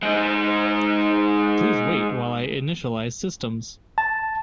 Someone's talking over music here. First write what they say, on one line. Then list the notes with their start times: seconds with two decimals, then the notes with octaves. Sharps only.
Please wait while I initialize systems!
0.03 G#3 D#4
3.98 A5